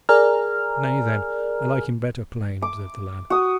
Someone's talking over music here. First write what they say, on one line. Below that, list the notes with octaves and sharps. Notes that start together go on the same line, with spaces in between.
"Nay, then, I like him better plain," observed the lad.
G#4 A#4 D5 G#5 A#5 F6
D6
F#4 D#6